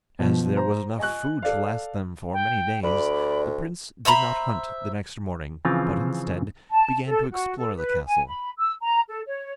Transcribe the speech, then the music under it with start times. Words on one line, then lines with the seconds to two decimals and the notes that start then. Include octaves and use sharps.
As there was enough food to last them for many days, the prince did not hunt the next morning, but, instead, began to explore the castle.
0.19 B2 F3
0.56 C5 A#5
0.98 D#5 G#5 C#6 F#6
1.42 A4 D5 F5
2.33 G5
2.83 D2 D5 B5
4.05 C5 E5 A#5 B5
5.65 C#3 E3 F3 C4 F4
6.71 A5
7.07 A4
7.32 F#4
7.56 A4
7.76 B4
8.07 G#5
8.27 B5
8.58 E6
8.81 A#5
9.08 A4
9.25 C#5